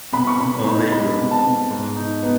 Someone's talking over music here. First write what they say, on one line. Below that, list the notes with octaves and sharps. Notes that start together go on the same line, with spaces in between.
On Apr.
B2 B5
C#6
B2 B5
D#4
G#3 B5
B2
A5
B2
G#2
D#4
B3